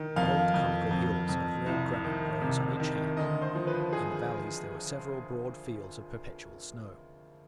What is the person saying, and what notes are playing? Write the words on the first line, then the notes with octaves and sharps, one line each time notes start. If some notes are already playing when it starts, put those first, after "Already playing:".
Bold conical hills of red granite rose on each hand; in the valleys there were several broad fields of perpetual snow.
Already playing: D#3
F2 F5
F2
F2
F2
C2
D#3
C3
D#3
D2 D#5
C5
F3
B4
G#4